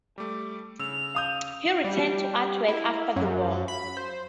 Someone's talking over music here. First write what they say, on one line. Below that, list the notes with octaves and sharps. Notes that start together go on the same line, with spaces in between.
He returned to artwork after the war.
G3 A3 D6
C#3 E6 F7
F5 D#6 G6
G3
E4
F#2
B5
C5